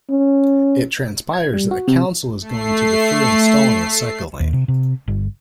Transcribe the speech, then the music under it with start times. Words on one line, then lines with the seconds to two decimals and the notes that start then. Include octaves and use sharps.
It transpires that the council is going to defer installing a cycle lane.
0.10 C#4
1.33 G#6
1.54 G3
1.71 F#4
1.88 C3
2.41 A3 C7
4.40 D#2
4.53 C3
4.68 C3
5.08 G1